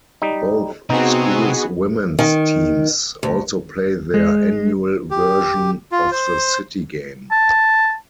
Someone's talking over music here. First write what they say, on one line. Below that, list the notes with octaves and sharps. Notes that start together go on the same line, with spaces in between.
Both schools' women's teams also play their annual version of the City Game.
G3 D#4
C3 B3 C4 D#4 F#4 G#4
D#3
D2
G#3
G4
F4
C5
A5